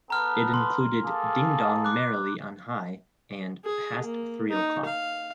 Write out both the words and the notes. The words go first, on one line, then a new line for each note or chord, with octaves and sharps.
It included "Ding Dong Merrily on High" and "Past Three O'Clock".
B3 A4 B4 A#5 F6
C6
A#3 G#4 A4
D6 F#6
G#4
A#3
D#4
F5